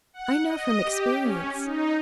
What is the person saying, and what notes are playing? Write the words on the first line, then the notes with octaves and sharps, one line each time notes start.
"I know from experience."
F#5
D#5
G4
C#4
D#4